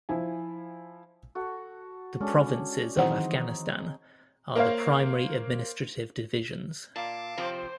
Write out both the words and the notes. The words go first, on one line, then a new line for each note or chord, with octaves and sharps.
The provinces of Afghanistan are the primary administrative divisions.
F3 E4 G#5
F#4 A4
G#3 C#4 D4 A4
D#3 E3 F#3 C4 D#4 G#4 C5 F#5
A#3 A#4 C5 C#5 F5
A#2 F5 A5 D6
C3 F3 C4 C5